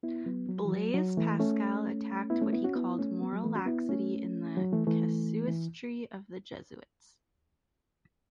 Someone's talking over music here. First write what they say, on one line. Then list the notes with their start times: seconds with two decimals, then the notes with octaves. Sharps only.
Blaise Pascal attacked what he called moral laxity in the casuistry of the Jesuits.
0.03 B3 E4
0.26 F#3 B3
0.49 F#3
0.65 E3
0.72 F#3
0.94 F#3
1.17 E3 A3
1.39 A3 C#4
2.30 B3 E4
2.41 A3 C#4
2.53 B3 E4
2.64 C#4 F#4
2.76 B3 E4
2.98 A3 C#4
3.21 F#3 B3
3.33 F#3
3.44 E3 A3
3.55 C#4 F#4
3.66 B3 E4
3.89 A3 C#4
4.57 F#3
4.72 E3 A3
4.87 E3 A3
5.48 E3